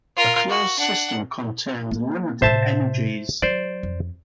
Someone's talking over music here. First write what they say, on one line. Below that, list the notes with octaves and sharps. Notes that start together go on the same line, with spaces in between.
A closed system contains limited energies.
F4 A#4
F#4
D4 F#5
A#3
A2 C3 C5 E5 A5
F#3 C5 D5
F2